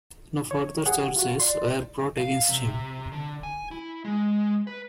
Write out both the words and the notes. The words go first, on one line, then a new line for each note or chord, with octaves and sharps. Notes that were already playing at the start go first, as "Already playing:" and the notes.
No further charges were brought against him.
C#5
G4 G#4 F#5
F4 F#4
D5 C6
F5
C3
D3
G#5
E4
G#3
B4